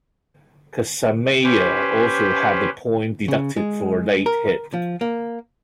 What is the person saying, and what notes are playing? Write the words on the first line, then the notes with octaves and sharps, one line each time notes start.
Casamayor also had a point deducted for a late hit.
C#4 G4 B4 C5
C#3
G#3
A#4
F3
A#3